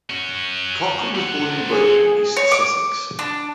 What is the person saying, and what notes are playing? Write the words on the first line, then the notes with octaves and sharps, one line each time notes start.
Cochrane was born in Brighton, East Sussex.
C#4 F#4
C4 F#5
G#4
C#5
D6
D4